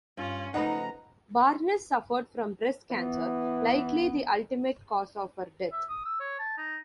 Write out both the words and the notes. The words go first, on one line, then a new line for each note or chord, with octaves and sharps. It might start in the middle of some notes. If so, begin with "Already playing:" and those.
Barnes suffered from breast cancer, likely the ultimate cause of her death.
G2 C#4 F4
C#3 F3 A3 D#4 B4 D#5 F#5 A#5
E3 B3
E5
D#6
E6
C#5
A5
D#4